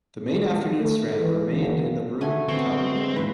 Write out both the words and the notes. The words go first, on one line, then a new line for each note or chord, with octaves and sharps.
The main afternoon strand remained in the Broom Cupboard.
A3
E3
F#1
D3 A3 F#4 G#5
B3 C4 C#6
G#3
D#2 G#2 E3 B4